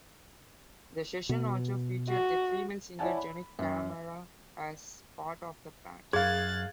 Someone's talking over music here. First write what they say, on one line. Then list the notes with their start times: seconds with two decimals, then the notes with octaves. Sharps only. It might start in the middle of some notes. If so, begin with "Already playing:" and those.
The session also featured the female singer Jenne Camara as part of the band.
1.29 B2 B3
2.09 F#4
2.99 E4 C#5 D5 F#5 G#5 A5
3.17 B5
3.59 F#2
6.13 F#2 G#4 F5 F#6 G#6 A6